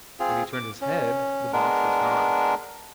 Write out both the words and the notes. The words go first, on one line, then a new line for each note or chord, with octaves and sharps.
When he turned his head, the box was gone.
C4 F4 G#4
D6
C#4
G#3 B3 D4 A#4